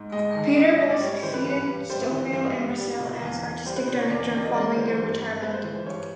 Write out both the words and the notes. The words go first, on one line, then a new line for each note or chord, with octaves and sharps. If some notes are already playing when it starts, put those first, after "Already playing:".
Peter Boal succeeded Stowell and Russell as Artistic Director following their retirement.
Already playing: G#2
G#3 D#5
D#3
G#2 D#5
D#5
G#2 D#5
D5
G3 C#5
C#5
E3 C5
B4
G2 B4
G2
G3 C5
E3
G2 C5
G2
G3
B2
E2
E2
G3 C5
B4
B2 C5
C#5
E2 D5
D5
E2 D5
D#5
G#3 D5
C#5
E3 C5
C5
G2 C5
G2
G#3 B4
C5
E3
C5
G2 C#5